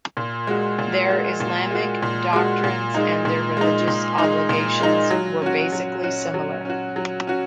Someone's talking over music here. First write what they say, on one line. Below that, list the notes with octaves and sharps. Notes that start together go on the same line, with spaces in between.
Their Islamic doctrines and their religious obligations were basically similar.
A#2
G#3 F#4
A#2
G#3 F#4
A#2
G#3 F#4
A#2
G#3 F#4
A#2
G#3 D#4
A#2
G#3 D#4
A#2
G#3 D#4
A#2
G#3 D#4
F#3
C#4 F#4
F#3
C#4 F#4
F#3
C#4 F#4
F#3
C#4 F#4